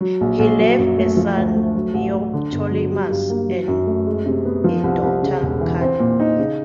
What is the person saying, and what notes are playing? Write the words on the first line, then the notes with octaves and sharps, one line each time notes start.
He left a son, Neoptolemus, and a daughter, Cadmea.
F#3
A#1
A#1
F#3
F#2
A3
F3
D2
A3
F#3
A1
A1
D3
G1
F#3
G3
G2
A#3
F#3
F#2
A3
G#3
C3
B3
F3
C2
C2
C#3
E1
E3
C4
A#2
D#4
C#3